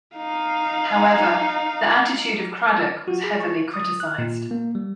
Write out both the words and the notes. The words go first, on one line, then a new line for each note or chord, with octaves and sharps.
However, the attitude of Cradock was heavily criticised.
D#4 F5
F#4
G#4
C#6
D#6
F#6
A#2
A#3
G3